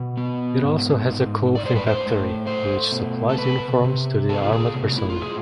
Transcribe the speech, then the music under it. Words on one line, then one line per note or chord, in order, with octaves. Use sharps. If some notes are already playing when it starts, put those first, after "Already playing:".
It also has a clothing factory which supplies uniforms to the armed personnel.
Already playing: B2
B3
G#2
G#2
A2 D5
C5
B4
C5
A2
A3 C5
B2
A4
C3 B4
C3
B3 A4
G#4
F4
G#4
A2
E4
F4
A2 G#4